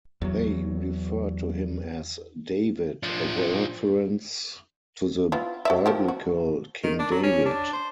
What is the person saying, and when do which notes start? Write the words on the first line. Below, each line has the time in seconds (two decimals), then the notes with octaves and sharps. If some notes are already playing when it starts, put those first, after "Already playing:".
They referred to him as 'David', a reference to the Biblical king David.
0.22 E2 F#3
3.03 F3 D4
5.32 B3 E4 F4
5.65 F#4 D5 E5
5.86 D#3 F3 G4
6.08 F#4
6.84 D#3
6.99 D4
7.11 F#3
7.24 C#4
7.46 D4
7.73 C5